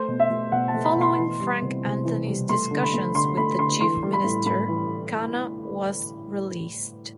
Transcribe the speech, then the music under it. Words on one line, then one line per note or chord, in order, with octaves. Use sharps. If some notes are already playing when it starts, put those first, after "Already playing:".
Following Frank Anthony's discussions with the chief minister, Khanna was released.
Already playing: A3 C5
B2
E5
A3
B2 F#5
A5
A3
B5
B2
C6
E3
G3
C3
C3
E3
G3
A3 C6
D3
B5
A3
D3 C6
A3 B5
D3 C6
E3 C6
G3
B5
A2
A2 B5
E3